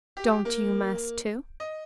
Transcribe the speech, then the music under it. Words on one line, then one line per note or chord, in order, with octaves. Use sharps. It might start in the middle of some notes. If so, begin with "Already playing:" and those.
"Don't you mass, too?"
G4
A#3
D#5